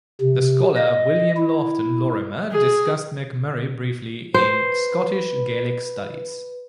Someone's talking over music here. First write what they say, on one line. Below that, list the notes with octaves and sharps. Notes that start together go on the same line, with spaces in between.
The scholar William Laughton Lorimer discussed McMurray briefly in "Scottish Gaelic studies".
C3
D#5
E4
G#4
B4 C5